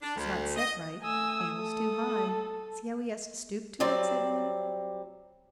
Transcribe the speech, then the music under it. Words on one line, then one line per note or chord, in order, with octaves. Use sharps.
"It's not set right; handle's too high; see how he has to stoop to it," said one.
D4
D2
D#5
A3 G#5 D#6 E6
A4
F#3 G3 C4 D5